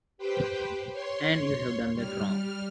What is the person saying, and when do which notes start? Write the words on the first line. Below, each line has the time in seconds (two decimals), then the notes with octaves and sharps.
And you have done that wrong!
0.18 G4 B4 C5 G5
0.92 C#5 C6
1.94 G3 F6